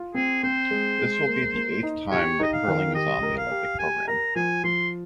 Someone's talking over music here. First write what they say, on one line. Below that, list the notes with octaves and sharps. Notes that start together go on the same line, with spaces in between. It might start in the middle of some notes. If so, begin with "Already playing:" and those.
This will be the eighth time that curling is on the Olympic program.
Already playing: F4
C4 G#4
C4 C5
G#3
G#3
A#3
A#3
D#4
G4 C#5
D#4 D#5
F5
D#3
G4 D#5
A#4
F5
G4
G4 G#5
A#4 A#5
F3 G#5
F3 C6